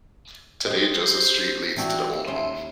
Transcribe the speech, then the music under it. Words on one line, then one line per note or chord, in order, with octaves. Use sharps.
Today, Joseph Street leads to the old home.
G4 C5 D#5
E3 C4 D4 F#4
D#2 C#4 E4 C6